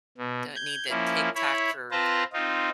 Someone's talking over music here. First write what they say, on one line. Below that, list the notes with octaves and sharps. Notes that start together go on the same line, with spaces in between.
don't need the TikTok for
B2
G6 G#6
F3 A#3 C#4 E4
E4 C#5 B5
C4 F4 B4 C5 A5 A#5
C4 D#4 F4